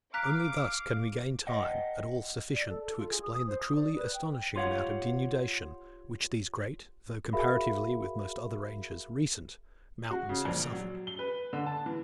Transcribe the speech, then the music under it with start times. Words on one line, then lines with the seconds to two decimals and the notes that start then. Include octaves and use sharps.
Only thus can we gain time, at all sufficient to explain the truly astonishing amount of denudation, which these great, though comparatively with most other ranges recent, mountains have suffered.
0.14 F5 A#5 D6 F#6 B6
1.47 D#5 F#5 G5
2.54 D5
2.70 A4
2.84 A4
2.97 F4
3.10 G#4
3.22 D#6
3.34 D#6
3.47 C5
3.61 D#6
3.75 D5
3.96 B4
4.14 G5
4.56 F4 G4 C#5 F5 F#5
7.33 F#4 G#4 A#4 E5 F5 B5
10.11 F#4
10.29 C#3
10.45 A#1
10.72 F#3
11.07 G7
11.19 B4
11.53 D3
11.66 A5
11.86 E3